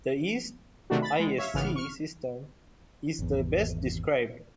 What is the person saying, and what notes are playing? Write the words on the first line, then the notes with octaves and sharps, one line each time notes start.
The yeast isc system is the best described.
C3 D#3 A3 D4 F#4
B5 A6
G#3
C#5 E5 F5
G#1 C#3 E3 B3 F6
C#6 F6
G#1 E2